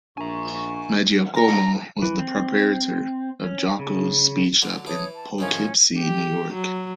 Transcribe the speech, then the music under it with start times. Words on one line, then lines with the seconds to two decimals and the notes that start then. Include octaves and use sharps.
Maggiacomo was the proprietor of Jocko's Speed Shop in Poughkeepsie, New York.
0.17 A#1 D4 A#4 E5 G#5 A#5 C#6
1.35 A#5
2.02 E3
2.19 C4
3.44 C#4
3.79 C#3
4.62 D3 F#3 A5
4.86 E3 C#5 A5 D6 D#6
5.16 A5
5.38 A2 D#3 F3 C#4
5.99 G4
6.54 F#3